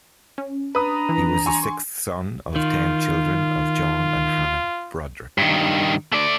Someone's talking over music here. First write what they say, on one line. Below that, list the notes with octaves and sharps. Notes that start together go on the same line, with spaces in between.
He was the sixth son of ten children of John and Hannah Brodrick.
C#4
D4 B4 A#5 D#6
E3
G#5 C6 C#6
D#3 F4
G2 D#3
A3 D5